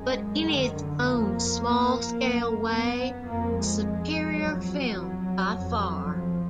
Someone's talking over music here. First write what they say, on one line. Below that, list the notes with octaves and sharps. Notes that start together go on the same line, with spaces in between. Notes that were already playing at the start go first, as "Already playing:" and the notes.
But in its own small-scale way a superior film by far.
Already playing: F#2 G#3
D#3
D3
F2 A#3
F#2
B3
F2 A#3
G#3
F2 F#3
F2
F3